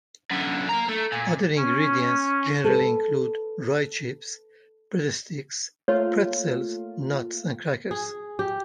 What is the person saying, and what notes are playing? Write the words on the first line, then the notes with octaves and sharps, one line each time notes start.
Other ingredients generally include rye chips, breadsticks, pretzels, nuts and crackers.
F#2 D3
A#3 A#5
A3
A#2
C#4
A4 B4
A3 A#3 F4 C#5
G#4
G4